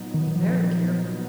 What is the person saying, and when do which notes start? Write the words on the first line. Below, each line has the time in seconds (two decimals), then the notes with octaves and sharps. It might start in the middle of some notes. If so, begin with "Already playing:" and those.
Be very careful.
Already playing: A#2 F#3 B3 D#4
0.14 D#3
0.36 F3